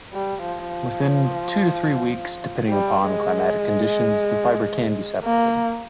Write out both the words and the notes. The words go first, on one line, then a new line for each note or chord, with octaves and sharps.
Within two to three weeks, depending upon climatic conditions, the fibre can be separated.
G3
F3
F3
G3
G#3
A#3